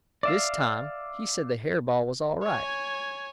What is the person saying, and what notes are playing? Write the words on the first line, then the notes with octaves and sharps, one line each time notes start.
This time he said the hair-ball was all right.
D5 E5 F5
C#5 G#5